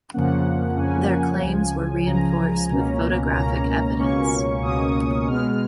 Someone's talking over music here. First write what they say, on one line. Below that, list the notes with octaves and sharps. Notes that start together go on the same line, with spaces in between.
Their claims were reinforced with photographic evidence.
F2 C#3 F3 A#3 C#4 F#5
F2 C#3 F3 A#3 C#4 G#5
C#2 C#3 F3
C#2 C#3 F3 A#5
C#2 B2 A#3 C#4
C#2 B2 A#3 C#4 A#5
C#2 B2 A#3 C#4 C#6
C#2 B2 A#3 C#4 D#6
B2 G#3 B3 F6